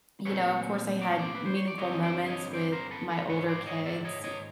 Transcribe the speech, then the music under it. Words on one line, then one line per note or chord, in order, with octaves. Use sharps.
You know, of course, I had meaningful moments with my older kids,
A#2 F#3 A3 C4 B4 C#5
D5
C#5
C5 D5
B4
C5
C#5
D5
G2 D3 G3 C4 C#5 D#5
D#5
C5 D5
C#5 D#5
C5 D5
A#4 C5
A4 B4
A4 B4
G#2 D#3 G#3 B4 C#5
C5 D5
C#5 D#5
D5 E5
C#5 D#5
C#5 D#5